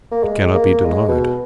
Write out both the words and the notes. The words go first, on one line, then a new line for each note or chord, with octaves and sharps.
'It cannot be denied.'
A#3
G#3
A#3
G#3
B2